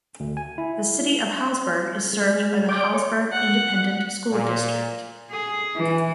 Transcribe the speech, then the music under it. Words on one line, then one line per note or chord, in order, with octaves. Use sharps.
The City of Hallsburg is served by the Hallsburg Independent School District.
D2
G#5
E4
G#3
D5 G5 D6
C#5
F#5
A#2
G#4
E3